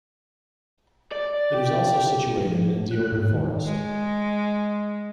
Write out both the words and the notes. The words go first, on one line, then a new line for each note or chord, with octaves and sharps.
It is also situated in a deodar forest.
D5
G4
F3
A3
F#6
G#2
D#3
G#3